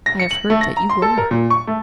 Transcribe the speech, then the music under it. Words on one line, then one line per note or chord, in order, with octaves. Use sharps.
I have heard that you were.
A#6
C#7
F#7
A3
A#6
A#5
C6
A4
A#4
A#2
C#6
A3